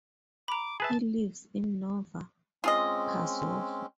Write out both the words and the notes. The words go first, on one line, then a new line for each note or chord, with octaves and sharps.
He lives in Nova Pazova.
A#5 B5 D6
G#4 B4 E5 A5
G#3 C4 C#4 F4 G#4 D#5